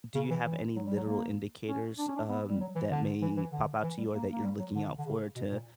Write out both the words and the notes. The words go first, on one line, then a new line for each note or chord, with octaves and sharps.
do you have any literal indicators, um, that may pop out to you or that you're looking out for to,
C#3
E3
E3
F#3
G3
F#3
A#3
C#4
D4
C#4
D4
B3
G3
F#3
E3
D3
E3
E3
D3
E3
G3
A#3
A#3
G3
F#3
D3
D3
C#3
B2
A#2